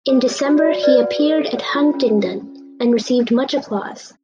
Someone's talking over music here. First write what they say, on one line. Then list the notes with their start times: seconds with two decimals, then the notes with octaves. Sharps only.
In December he appeared at Huntingdon and received much applause.
0.08 G#4 C#5
0.27 G#4
0.46 F#4 C#5
0.56 D5
0.64 F#4 C#5
0.83 B4 D5
1.02 F#4
1.19 A4
1.38 A4
1.57 C#5
1.75 F4
1.94 C#4